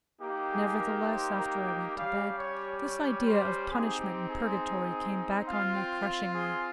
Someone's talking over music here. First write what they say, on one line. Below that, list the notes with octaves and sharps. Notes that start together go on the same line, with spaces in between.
Nevertheless, after I went to bed, this idea of punishment and Purgatory came back on me crushingly.
A#3 D#4 G4
G#4
A#4
C5
A#4
G5
G3 C#4 G4 F5
C#5
C#5
C5
C4 D#4 G4 G#4
G4
G#4
C4 F4 F5
G5
F5
G#4